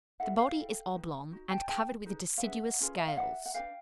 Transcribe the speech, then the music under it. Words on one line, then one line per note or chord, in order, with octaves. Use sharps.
The body is oblong, and covered with deciduous scales.
E4 A4 E5 F#5
F5 G5
E4 A4
D#4 F#4 B4
D#4 F#4
G5 A5
D#4 G#4 B4 G5 A5
D#4 G#4 B4
F5
C#4 F4 G#4 B4 E5 F#5
C#4 F4 G#4 B4
E5
F5
D4 G4 B4 E5 F#5
F#5
D4 G4 B4 F5 G5